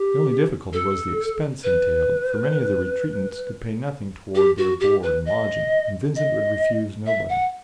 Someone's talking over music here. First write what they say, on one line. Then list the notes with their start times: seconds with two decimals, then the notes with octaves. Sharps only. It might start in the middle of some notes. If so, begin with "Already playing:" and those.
The only difficulty was the expense entailed, for many of the retreatants could pay nothing toward their board and lodging, and Vincent would refuse nobody.
Already playing: G4
0.73 A4
1.64 B4
4.35 G4
4.58 F#4
4.80 G4
5.03 B4
5.26 D#5
6.16 D#5
7.06 E5
7.29 F#5